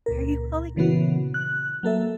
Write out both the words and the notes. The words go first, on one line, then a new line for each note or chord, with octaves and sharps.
why are you calling me?"
C#2 A#2 A#4
A#2 C#3 E3 B3 F#4
F#6
F#3 A#3 A4 E5